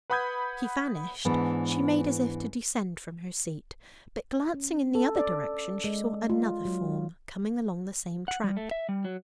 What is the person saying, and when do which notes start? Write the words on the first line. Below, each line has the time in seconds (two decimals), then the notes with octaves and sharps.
As he vanished, she made as if to descend from her seat; but glancing in the other direction she saw another form coming along the same track.
0.10 B4 F#5 B5 D#6 G6 G#6
1.25 G#2 E3 B3 D4
4.54 C#4
4.95 A4
5.16 D5
5.84 G#3
6.30 F4
6.65 F#3
8.28 F#5
8.44 G3
8.57 A3
8.71 E5
8.89 G3
9.05 F#3